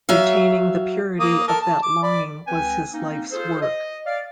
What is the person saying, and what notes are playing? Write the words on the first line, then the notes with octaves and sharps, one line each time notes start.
Retaining the purity of that longing was his life's work.
F#3 E5 F5
A#3 D#6
A4 A#4
A5
D6
D5 B5
C#2 C4 B4 G5 G#5
A#3 C4 C#4 D#4
F4 G#4 A4 C5
D#5
D5 F5